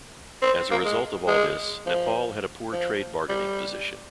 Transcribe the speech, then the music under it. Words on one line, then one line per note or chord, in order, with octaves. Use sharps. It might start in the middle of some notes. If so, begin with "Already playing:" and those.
As a result of all this, Nepal had a poor trade bargaining position.
C4
A#3
G#3
G#3
F3
F3
G3